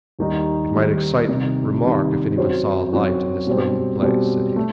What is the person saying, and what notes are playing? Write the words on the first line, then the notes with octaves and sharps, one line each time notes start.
"It might excite remark if anyone saw a light in this lonely place," said he.
D#2 D#3 G3 D#4
D#2 D#3 G3 D#4
C3 D#3 G3 D#4
C3 D#3 G3 D#4
F#2 F#3 C4 F#4 C5
F#2 F#3 C4 F#4 C5
B2 G3 C4
B2 G3 C4
A3